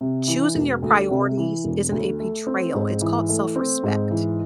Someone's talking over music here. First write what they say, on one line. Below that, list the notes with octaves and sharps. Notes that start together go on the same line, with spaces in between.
choosing your priorities isn't a betrayal, it's called self-respect.
C3
E3
E1
D2
C3
E3
E1
D2
A3
C4
G#2
E3
A3
C4
G#2
E3